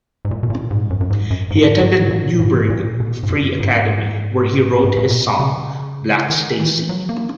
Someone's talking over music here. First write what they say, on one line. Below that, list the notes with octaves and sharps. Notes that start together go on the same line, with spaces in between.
He attended Newburgh Free Academy, where he wrote his song "Black Stacey".
G#2
A#2
B2
A#2
G#2
F#2
F#2
G#2
F#2
G#2
G#2
A#2
G#2
A#2
B2
G#2
F#2
G#2
G#2
A#2
B2
C#3
D#3
E3
F#3
A#3